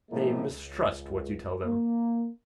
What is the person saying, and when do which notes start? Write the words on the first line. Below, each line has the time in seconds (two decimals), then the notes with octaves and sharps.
They mistrust what you tell them.
0.10 A2 C3 F3 G#3 A#3
0.51 C#2
1.65 A#3